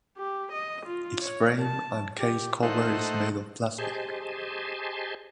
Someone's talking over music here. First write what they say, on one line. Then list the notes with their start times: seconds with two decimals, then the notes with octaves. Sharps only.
Its frame and case cover is made of plastic.
0.18 G4
0.53 D#5
0.86 F4
1.23 C#5
1.62 A5
2.18 G4
2.63 A3 D#4 C5 F#5
3.78 G4 G#4 C5 D#5 G#5 A5